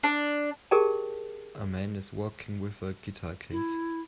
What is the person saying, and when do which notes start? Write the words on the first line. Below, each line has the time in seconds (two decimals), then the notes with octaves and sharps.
A man is walking with a guitar case.
0.03 D4
0.71 G4 G#4 A#4 D5 G5 A5
3.51 E4